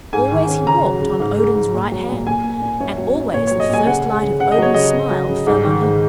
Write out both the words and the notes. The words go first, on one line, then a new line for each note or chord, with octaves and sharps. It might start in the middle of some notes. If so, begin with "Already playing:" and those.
Always he walked on Odin's right hand, and always the first light of Odin's smile fell on him.
G#2 G#5
D#3
C#4
C#3 A#5
F#3
C#3
G#2
G#3
G#2
A#2
F#3
A#2
A#2 G#5
A#3
A#2
F#2 C#5
F#3
F#2
A#2 C#5
F#3 C#5
D#5
A#2 G#5
C#3 F#5
G#3
C#3
C#3 F#5
D#5
F#3 C#5
C#3 D#5
C#3
F#3
C#3
G#2
D#3
G#2